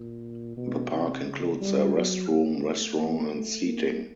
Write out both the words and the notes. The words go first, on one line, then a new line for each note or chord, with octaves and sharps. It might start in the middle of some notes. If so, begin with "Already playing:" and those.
The park includes a restroom, restaurant and seating.
Already playing: A#2
B2
C3
C#3
G3
F#3
A#3
A3
A#3
A3
A#3